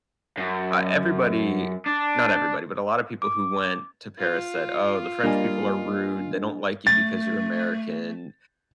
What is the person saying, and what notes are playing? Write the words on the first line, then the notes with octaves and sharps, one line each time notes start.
uh, everybody not everybody, but a lot of people who went to Paris said, "Oh, the French people are rude, they don't like you because you're American,
F#2
D4
D6
F4
G3 A#3 D4 D#5 G#5
A3 A6